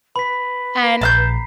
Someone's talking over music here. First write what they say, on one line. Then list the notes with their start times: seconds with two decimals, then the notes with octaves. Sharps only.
And I
0.16 B4 B5 B6
1.01 A#1 A5 A#5 F#6 G6 C7